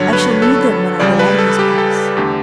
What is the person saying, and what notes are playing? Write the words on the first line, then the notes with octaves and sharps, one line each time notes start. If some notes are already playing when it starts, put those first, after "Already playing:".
I shall need them when I get out of this place.
Already playing: G2 D3 F#3 C#5
B4
A4
C#2 C#3 G3 D5
B4
A4
G4
A4
E2 D3 A3 G4